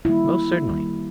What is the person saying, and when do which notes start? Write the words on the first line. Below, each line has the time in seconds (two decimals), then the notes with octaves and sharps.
Most certainly.
0.05 D#3 G3 A#3 E4
0.69 D#3 G3 A#3